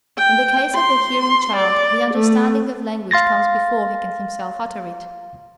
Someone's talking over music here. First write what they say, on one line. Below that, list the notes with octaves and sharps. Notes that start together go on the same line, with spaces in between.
In the case of the hearing child, the understanding of language comes before he can himself utter it.
G5
C6
D5
A3
F5 C6 A6 A#6